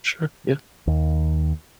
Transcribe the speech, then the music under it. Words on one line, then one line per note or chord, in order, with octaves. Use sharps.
Sure, yeah.
D#2